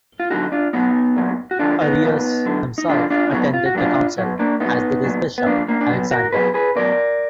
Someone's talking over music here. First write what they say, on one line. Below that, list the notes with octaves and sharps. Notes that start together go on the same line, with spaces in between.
Arius himself attended the council, as did his bishop, Alexander.
F4
D3 F#3 D#4 F#4
D4 F4
B2 F#3 B3 D#4
A#2 F#3
F#4
D3 F3 D4 F4
B3 D#4
A#2 F3
D3 F#3
D#4
D3 F3 D4 F4
D4 F4
D4
A#2 F#3 B3 D#4
F4
F#4
A#2 F#3 D4 F4
B2 F#3
A#3 D4
A#2 F#3 B3 D#4
A#2 F#3
B3
A#2 F3 A#3 D4
A#3 D4
D4
B2 F#3 B3
F#4 A#4
B2 F#3 G#4 B4
G#4 B4
B2 F#3 A#4 D5